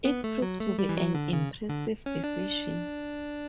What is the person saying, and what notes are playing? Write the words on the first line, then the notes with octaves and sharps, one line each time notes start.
It proved to be an impressive decision.
B3
A3
F#3
A3
G3
E3
F#3
D3
C#3
D3
C#4
D4